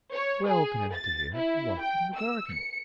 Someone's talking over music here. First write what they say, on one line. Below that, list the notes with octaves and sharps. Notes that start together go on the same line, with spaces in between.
'Well then, dear, walk in the garden.'
C#5
G#4
A6
E4
G5
E6
C#7